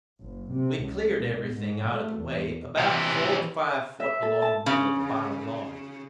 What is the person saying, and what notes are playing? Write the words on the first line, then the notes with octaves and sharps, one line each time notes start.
We cleared everything out of the way, about four or five foot along the middle of the bottom log.
F#1
C3
C#2
B2
G#2
A3
E2
C3 E3
E5
A4
A5
C#3